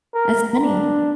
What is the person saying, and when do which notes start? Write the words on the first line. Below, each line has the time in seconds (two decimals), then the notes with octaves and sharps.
That's funny.
0.14 A#4
0.61 D4